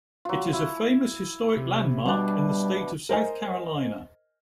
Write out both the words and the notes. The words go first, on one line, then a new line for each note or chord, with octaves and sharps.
It is a famous historic landmark in the state of South Carolina.
F#3 F4
E4
C3
B2 G3 D4
A#4 C5 D#5 G#5